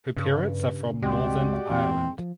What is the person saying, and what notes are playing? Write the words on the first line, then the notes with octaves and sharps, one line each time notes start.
Her parents are from Northern Ireland.
G2 C#3
C#2 G2 G#3 C4 F#4 G4 D5
E2 A#2 E3 C4
F3